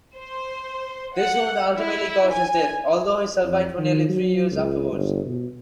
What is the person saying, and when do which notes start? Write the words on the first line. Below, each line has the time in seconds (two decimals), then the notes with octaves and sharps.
This wound ultimately caused his death, although he survived for nearly three years afterwards.
0.15 C5
1.16 F#5
1.76 E4
2.31 G#5
3.43 F2
3.78 D#3
4.09 F#3
4.51 C#2
4.92 G1
5.26 B2